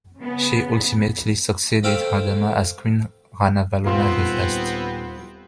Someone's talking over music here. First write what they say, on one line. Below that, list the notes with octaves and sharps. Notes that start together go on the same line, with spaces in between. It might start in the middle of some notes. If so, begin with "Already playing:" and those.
She ultimately succeeded Radama as Queen Ranavalona the First.
C#3 B3
A3 C4 E5 F5 G5
D#1 B3 C4 F4 C6